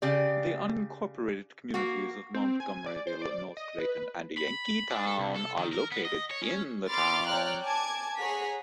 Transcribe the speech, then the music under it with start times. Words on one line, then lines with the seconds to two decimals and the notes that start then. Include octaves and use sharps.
The unincorporated communities of Montgomeryville, North Clayton, and Yankeetown are located in the town.
0.02 C#3 G4 D5
1.74 A#3 F#4
2.34 C4
2.60 G#5
2.86 D5
3.07 C5
3.22 D5
3.57 D#5
3.80 B4
4.37 B5
4.91 D4
5.07 A4
5.18 C2
5.36 A4
5.58 D#3
5.73 A#4
5.92 B3
6.05 D#5
6.31 C#5
6.43 C#4
6.89 B5 C6 D6 F6 A6
7.27 C#5 D5 G5 A#5 F6 F#6
7.62 G#5 A5 D6 G#6
8.18 G#4 C#5 F#5 A#5 B6